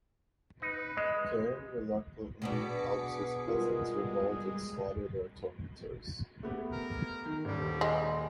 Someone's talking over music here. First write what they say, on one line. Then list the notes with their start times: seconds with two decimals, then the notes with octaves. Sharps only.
Kane reluctantly helps his cousins revolt and slaughter their tormentors.
0.62 D#4 B4
0.97 G#3 D#5
2.42 B2 B3 D4 G#4 D6 B6 C#7
3.47 G3 G#3 F4 A#4
6.43 A3 B3 G4
6.72 A#4
7.26 D#3
7.45 D#1 D#2 G3
7.81 G#3